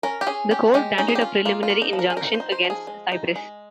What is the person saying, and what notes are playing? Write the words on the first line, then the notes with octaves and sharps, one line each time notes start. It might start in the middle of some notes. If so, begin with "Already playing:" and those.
The Court granted a preliminary injunction against Cypress.
C#4 A#4
G4
C#4 G#4
C#4 G4
G#3 G4
C#4 D#4
G#4
G4
C#4 F4
A#3 F4
F4
A#3
D#4
F3
A#4
G#4
D#4 A#4
A#4
C5
D#4
C5
F3
G#4
G#3
D#4
G#3